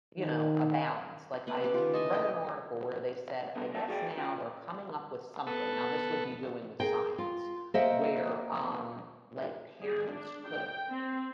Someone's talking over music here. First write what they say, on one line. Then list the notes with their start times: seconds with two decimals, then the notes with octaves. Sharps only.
you know, a balance. Like, I read an article where they said, I guess now we're coming up with something, now this would be doing with science. Where, um, like, parents could
0.18 D#3
1.47 B3 B4
1.61 C#4 G4
1.74 D#3 F4 G4
1.93 E4 D#5 G#5 A5
2.14 G5
3.55 G2 D3 B3
3.72 F#2 B2 A#3 E5 A5
3.88 F#4 G#4 D5 F#5 G5
4.17 C#4 F4 G5
5.47 B3 A4
6.80 G#4 A#4 G5
7.18 F4
7.74 A#3 C5 D#5 E5 F#5 G5
9.79 G#4
10.09 D4
10.49 G5
10.90 C4